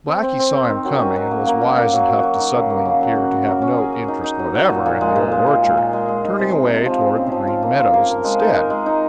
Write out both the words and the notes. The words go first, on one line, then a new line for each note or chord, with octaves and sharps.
Blacky saw him coming and was wise enough to suddenly appear to have no interest whatever in the Old Orchard, turning away toward the Green Meadows instead.
C4
C4
C4
A#4
D#3
F#3
C#4
F#3
A#3
A#3
A#4
A#3
F#3
F#3
F#3
D#4
C#3
A#3
C#3
F#3
F#4
F#4
A#4
C#4
G#4
G#4
D#4
D#4
F#3
F#3
A#2
A#2
G#3
A#2
G#3
A#2
G#3
A#2
G#3
G#3
D#4
C3
C3
C3
F3
C4
C#3
F3
F4
A#3
F4
A#3
A#4
G#3
D#4
A#4
G#3
D#4